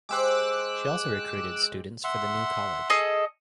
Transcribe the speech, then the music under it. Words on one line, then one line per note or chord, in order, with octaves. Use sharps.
She also recruited students for the new college.
G#3 G4 C5 D6 E6 F#6
E5 F#5 C6
G#4 A4 D#5